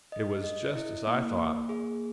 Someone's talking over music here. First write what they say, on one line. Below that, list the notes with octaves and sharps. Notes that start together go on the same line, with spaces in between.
It was just as I thought.
D#5
D#5
E4
A#3
A#3
G#4